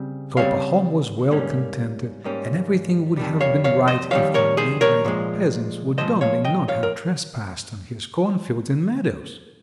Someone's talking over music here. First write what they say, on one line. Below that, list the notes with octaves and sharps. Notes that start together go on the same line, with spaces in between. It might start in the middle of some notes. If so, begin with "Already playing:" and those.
So Pahom was well contented, and everything would have been right if the neighboring peasants would only not have trespassed on his corn-fields and meadows.
Already playing: C#3 G3 C4
C#3 G3 C4 C#5 F5
G#2 G3 A#3 C#4
G#2 G3 A#3 C#4
F2 D#3 G3
C#5 F5
C#5 F5
C5 D#5
F2 D#3 G3 C#5 F5
A#4 C#5
G#4 C5
A#4 C#5
A#2 F3 G#3
A#2 F3 G#3 C5 D#5
C#5 F5
D#5 G5
C#5 F5
A#4